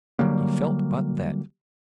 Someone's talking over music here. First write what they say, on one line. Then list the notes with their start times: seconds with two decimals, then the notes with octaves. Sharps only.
He felt but that.
0.19 D3 F#3 G3 A#3